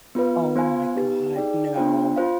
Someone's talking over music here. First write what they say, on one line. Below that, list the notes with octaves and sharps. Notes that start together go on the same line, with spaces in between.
Oh my God. No.
B3 F4 B4
B3 F4 C5 F5 G#5
B3 D#4 G4 B4
D#4 G#4 D5 G5
B3 D4 F4 C5 G5
F4 C5 F5